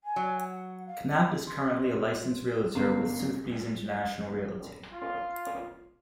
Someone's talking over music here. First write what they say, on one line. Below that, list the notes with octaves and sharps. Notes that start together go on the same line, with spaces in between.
Knapp is currently a licensed realtor with Sotheby's International Realty.
G#5
F#3
F#5
F5
C6
G1 A#3 B3 C#4 C7
F4